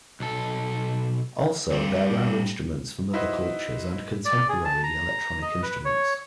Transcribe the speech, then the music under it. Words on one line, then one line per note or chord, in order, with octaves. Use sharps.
Also, there are instruments from other cultures and contemporary electronic instruments.
B1 A4
G2 C4
D#4 E4 F#4 B4 C5 E5
D5
G#4
A5
A#5
D#5
B4
C#5